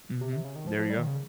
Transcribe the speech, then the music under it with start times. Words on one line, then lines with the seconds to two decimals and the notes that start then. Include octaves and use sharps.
Mhm. There you go.
0.21 C3
0.32 C3
0.44 C#3
0.56 D#3
0.67 F3
0.79 F3
0.90 G3
0.99 D#3
1.07 C#3